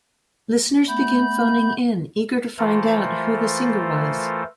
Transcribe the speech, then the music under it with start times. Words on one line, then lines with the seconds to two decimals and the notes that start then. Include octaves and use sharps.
Listeners began phoning in, eager to find out who the singer was.
0.88 A3 B3 B5 G6
2.58 E3 A3 F4 A4 A#4 C5